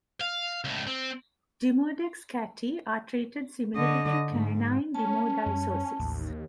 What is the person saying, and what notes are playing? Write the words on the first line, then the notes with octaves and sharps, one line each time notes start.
"Demodex cati" are treated similarly to canine demodicosis.
F5
C#2 A2
C4
D3 D#5
G#2
C#4 A5
F#2 G3
A1 D#2